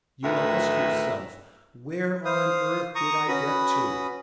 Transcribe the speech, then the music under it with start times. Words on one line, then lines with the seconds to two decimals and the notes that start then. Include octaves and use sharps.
You ask yourself, Where on earth did I get to?
0.24 D2 A2 D#3 A#4 B4 E5
2.25 C5 F5 D#6
2.95 A#5 C#6 D#6
3.28 C#4 F#4 B4 B5 D#6